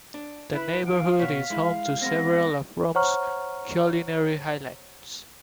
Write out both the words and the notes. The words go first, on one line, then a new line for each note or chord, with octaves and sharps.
The neighborhood is home to several of Rome's culinary highlights.
D4
E4 B4 B5
F5 D7
B2 C#5 B6
G#3 E4
G#3 B3 C4 A#6
C5 C#5 F#5 A#5 C#6 F6